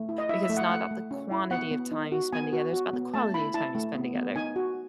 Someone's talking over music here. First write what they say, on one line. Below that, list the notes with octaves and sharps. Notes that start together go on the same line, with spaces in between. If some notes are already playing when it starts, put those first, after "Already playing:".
because it's not about the quantity of time you spend together, it's about the quality of time you spend together.
Already playing: A3
E4
D#5
E4 E5
E5
A3
F#5
A3 F#5
A3
C#4
E4
B3 F#5
B3
D#4
F#4
B3 G#5
F#4
F#4
B3
A3 A5
E4 B5
E4 A5
A3
B3
B3
D#4 G#5
F#4